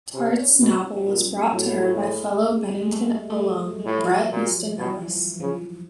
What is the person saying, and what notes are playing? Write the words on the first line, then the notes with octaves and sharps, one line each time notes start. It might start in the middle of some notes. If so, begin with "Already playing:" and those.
Tartt's novel was brought to her by fellow Bennington alum Bret Easton Ellis.
C3 C#4
D4
C#4
B2 C4
F#3
A#2 G3
A2 F#3
G3
A3
G#3
G3
G#3
A3
A3
G#3
G#3
A2 G3
F3
F#3
F#3
A#2 F3
B2 F3
E3
E3
F3
C#3 F3